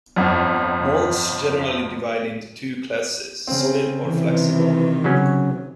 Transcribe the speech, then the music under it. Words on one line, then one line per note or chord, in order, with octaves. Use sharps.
Molds generally divide into two classes: solid or flexible.
G1 F2
C#3 C4
C3 D#3 E3
C#3 F#3 C#4